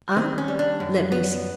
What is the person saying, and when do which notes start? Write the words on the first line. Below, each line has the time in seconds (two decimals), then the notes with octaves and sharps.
Ah! let me see!
0.17 D#3 C4
0.38 C#4
0.48 G3
0.59 D4
0.80 F#2
1.12 B3